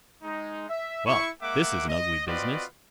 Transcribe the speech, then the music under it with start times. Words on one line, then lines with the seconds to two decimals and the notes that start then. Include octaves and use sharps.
'Well! this is an ugly business!
0.23 G#3 D#4
0.69 E5
1.07 E4 C#6
1.42 G#3 A#3 E5 F#5 D6
1.89 D#5
2.27 C4 F4 F#4 B4 D5 D#5